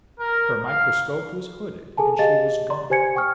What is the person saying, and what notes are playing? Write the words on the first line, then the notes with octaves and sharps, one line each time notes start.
Her microscope was hooded and she was gone.
A#4
F5
G#4 A4 G#5 A5
G4 G#4 D#5 F5 A6
D5 A#5 C6
G4 C5 G#5 G#6 C#7
G5 C#6 D#6 F6